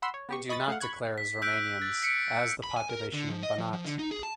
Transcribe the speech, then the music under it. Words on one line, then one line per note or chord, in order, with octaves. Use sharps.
They do not declare as Romanians, as the population in Banat.
F#5 B5 C6 E6
C#5
B3 G4 C#6
D#5 B5 C#6 D#6 A6
A3 F5 F#5
B5 C#6 F#6 G#6
B6
E6 F#6 G6 B6 D7
A6
B6 C#7 D7
B5
G#5
A#4
D3
F3
D#5
F3
F3
D3
D#4
G#4
A5